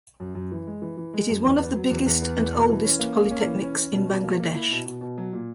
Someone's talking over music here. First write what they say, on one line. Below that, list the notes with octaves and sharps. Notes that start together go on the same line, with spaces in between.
It is one of the biggest and oldest polytechnics in Bangladesh.
F#2
F#2
E3
G#3
E3
E3
G#3
F#2
E2
B3
F#3
E2
E2
B3
E2
B2
E3
C#4
A#3
A#3
C#4
E3
C#4
C#4
B2
B2
A#3
A#3
E4
B2
B2
B2
F#3
A#2